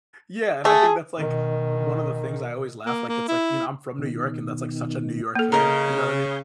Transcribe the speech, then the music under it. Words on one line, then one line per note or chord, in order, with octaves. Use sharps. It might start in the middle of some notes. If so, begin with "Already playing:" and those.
Yeah, and I think that's like one of the things I always laugh, like it's like, you know, I'm from New York and that's like such a New York thing. You know what I mea
A3 G#4
B2 D#3
A#3
A#3
E4
B2 D#3
A#3 A4
C#3 A#4 D#5 G#5 G6